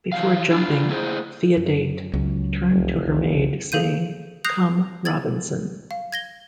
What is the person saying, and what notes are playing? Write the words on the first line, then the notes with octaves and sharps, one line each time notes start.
Before jumping, Theodate turned to her maid saying, Come, Robinson.
E3 F#3 G3 F5
D4 F4
A#3 E4 G#4 C5
F#2
C#2 F#3 C#4
F1 C2
G#4 A4 F5 G6 D#7
D#6 F#6 G6 A#6 C7 F7
G#6 A6 F#7
F5
G#6 A#6 G7